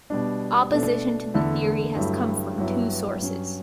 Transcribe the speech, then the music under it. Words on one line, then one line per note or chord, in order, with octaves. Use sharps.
Opposition to the theory has come from two sources.
B2 G3 D4
B2 A3 D4
E2 D3 A3 E4
G2 F#3 A3 E4
G2 F#3 B3 E4
G2 F#3 C#4